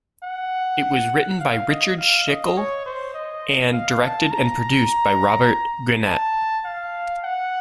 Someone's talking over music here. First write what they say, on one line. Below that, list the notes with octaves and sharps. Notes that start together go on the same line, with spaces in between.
It was written by Richard Schickel and directed and produced by Robert Guenette.
F#5
F5
D#5
F5
D#5
C#5
C5
D#5
F5
A5
A#5
A5
F5
F#5